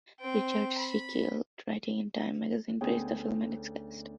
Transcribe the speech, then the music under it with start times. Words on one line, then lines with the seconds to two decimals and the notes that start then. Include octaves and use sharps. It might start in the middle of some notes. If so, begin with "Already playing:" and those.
Richard Schickel, writing in "Time" magazine praised the film and its cast.
0.20 C4 G5
0.78 B5
2.81 D2 B3 C#4 G#4 G5